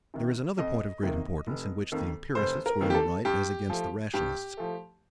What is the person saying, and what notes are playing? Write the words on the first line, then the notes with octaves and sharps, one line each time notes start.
There is another point of great importance, in which the empiricists were in the right as against the rationalists.
C3 D#3 A#3
F2 D#5
C3 D#3 A#3
F1
F2 D#3 A#3
F1 C5
A#4
F2 D#3 A#3
G4
A4
G2 G4
F3 A3
G2 G4
F3 A3